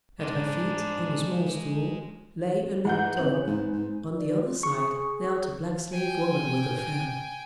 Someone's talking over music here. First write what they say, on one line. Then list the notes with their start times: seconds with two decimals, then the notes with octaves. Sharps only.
At her feet, on a small stool, lay a little dog; on the other side knelt a black slave woman with a fan.
0.20 G#3 D4 C5
2.85 G#2 E3 F#5 G6
3.17 B3 C4 F#7
3.47 G#2
3.73 G#2
4.17 D5
4.44 F4
4.63 G#4 C#6
5.93 G5 G#5